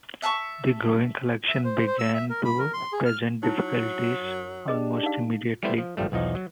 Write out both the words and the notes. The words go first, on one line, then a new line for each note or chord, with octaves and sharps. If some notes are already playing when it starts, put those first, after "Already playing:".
The growing collections began to present difficulties almost immediately.
E5 A5 A#5 C#6
E5
C5
C5
E6
E5
A#4
B5
A#4
C6
G#4
F6
F#3 D#4 E4
F#2
D4 G4 G#4 D#5
D#4 F5
G3 A3 B3 E4 C5
F3
G#1 G2 F3 G3 A3
B1 E2 F3 D#4
F#3